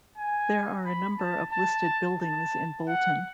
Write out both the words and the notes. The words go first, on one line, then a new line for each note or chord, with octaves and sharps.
There are a number of listed buildings in Bolton.
G#5
B5
A5
A5
A5
F#5